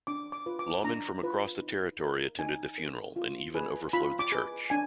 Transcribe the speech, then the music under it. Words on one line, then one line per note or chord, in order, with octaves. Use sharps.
Lawman from across the territory attended the funeral and even overflowed the church.
D4 D6
D6
F4 B4
D6
D4 A#5
F4 B4
D#4
A#4
D#4 G#5
A#4
F4
G#4 B4
F4 B5
D6
G#4 B4
D4 G#5